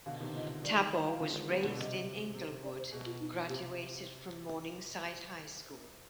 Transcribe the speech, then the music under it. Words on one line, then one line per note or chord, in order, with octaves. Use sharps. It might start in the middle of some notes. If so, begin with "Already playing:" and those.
Tabor was raised in Inglewood graduated from Morningside High School.
B2 D3 F5
C3 D#3
D3 F3 D#5
D#3 G3 D5
D#5
F5
D3 F3
F3 G#3
G3 B3
B2 D3
C3 D#5
C3
D5
C5
B2 G#4
F4
D#4
F4
C3 G4